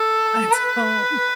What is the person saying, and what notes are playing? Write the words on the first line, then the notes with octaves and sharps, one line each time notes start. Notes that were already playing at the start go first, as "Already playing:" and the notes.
I don't
Already playing: A4
B4